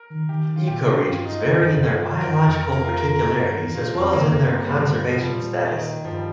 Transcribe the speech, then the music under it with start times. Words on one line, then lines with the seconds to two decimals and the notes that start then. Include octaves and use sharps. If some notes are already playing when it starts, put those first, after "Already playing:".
Ecoregions vary in their biological particularities, as well as in their conservation status.
Already playing: A#4
0.10 D#3
0.29 D#3 G4
0.48 D#3
0.56 F4
0.67 A#2 G4
0.87 G4
1.06 G2 F4
1.25 D#4
1.45 A#2
1.57 G2
1.69 F2
1.81 G2 F4
2.21 G2 A#4
2.40 F2
2.60 A#4
2.72 A#4
2.84 F4
2.98 A#4
3.36 G2
3.75 A#2 F4
3.93 F2 C4
4.13 G2 A#3
4.25 F2
4.32 A#3
4.39 G2 C4
4.51 A#3
4.64 G3
4.77 A#3
5.09 F3
5.18 C3 G3
5.27 A#2 F3
5.66 D#3
6.05 G2 F3
6.14 G3